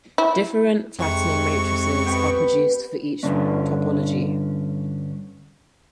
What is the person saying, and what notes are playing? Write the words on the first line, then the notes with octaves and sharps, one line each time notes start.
Different flattening matrices are produced for each topology.
E4
F2 G#2 C3 C#6 C#7
B3 B4 G5
G2 D3 C#4 D4